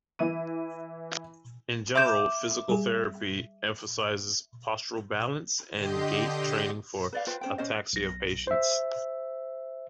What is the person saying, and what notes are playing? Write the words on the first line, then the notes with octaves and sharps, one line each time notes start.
In general, physical therapy emphasises postural balance and gait training for ataxia patients.
E3 E4 D#7
E5 D6 G6 E7
G3 G#4
D3 G4 D#5 C6 G6
B4 D5 F5
F4 B4 C5 G5
C#4 C5 G5
C#4 C5 D#5
B1 A#6
C5 E5